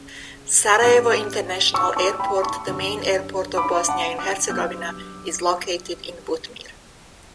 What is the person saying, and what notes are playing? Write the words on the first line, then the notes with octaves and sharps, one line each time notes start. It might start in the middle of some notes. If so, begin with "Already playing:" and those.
Sarajevo International Airport, the main airport of Bosnia and Herzegovina is located in Butmir.
Already playing: C#3
A2 G3 C#4 D6 F#6
C#6 E6
A5 C#6
G5 B5
B5
A5 C#6
F#2 D3 G3
B5 D6
F#5 A5
D6 F#6
G2 F#3 B3 E6 G6